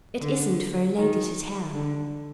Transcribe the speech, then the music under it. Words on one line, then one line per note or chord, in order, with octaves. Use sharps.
'It isn't for a lady to tell.'
D3
D#3
D3